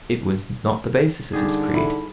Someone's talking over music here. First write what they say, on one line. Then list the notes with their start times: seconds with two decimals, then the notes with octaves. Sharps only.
It was not the basis of his creed.
1.33 G2 D3 D#4 G4 G#4
1.74 E4 A4 B5